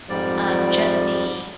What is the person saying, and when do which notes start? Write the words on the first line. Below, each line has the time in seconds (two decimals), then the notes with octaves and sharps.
um, just the,
0.09 F2 G#2 F3 G3 D5